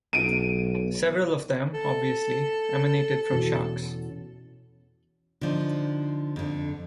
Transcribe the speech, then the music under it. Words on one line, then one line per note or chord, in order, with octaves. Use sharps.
Several of them obviously emanated from sharks.
B1 D7 D#7
A4
E2 B2 C#4
D3 F3 D#4
F2 D3